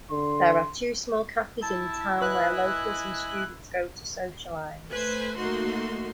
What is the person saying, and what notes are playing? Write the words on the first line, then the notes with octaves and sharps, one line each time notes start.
There are two small cafes in town where locals and students go to socialize.
D3 C6
E4 A5
B4 D#5 E5 G#5 F#6
A3 B4 C5 G#5
A3 A#3 D#4 F#4 C6